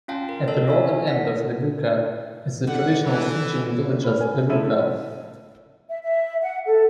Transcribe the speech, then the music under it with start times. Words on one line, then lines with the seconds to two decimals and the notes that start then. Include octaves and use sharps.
At the northern end of Levuka is the traditional Fijian village of Levuka.
0.08 C#4 F4 F5 G5 A5 C6
0.29 A#4
0.48 A4 A#4 D#5 F5 A5 E6
0.68 F#4 E5 G#5
0.89 C#5
1.07 F#5 A#6 B6
2.67 D3 F#5
3.03 E3
4.04 B4 F6
4.21 G#5
4.49 F3 A3 E4 A4 E6 D#7
5.89 E5
6.03 E5
6.42 F#5
6.66 A4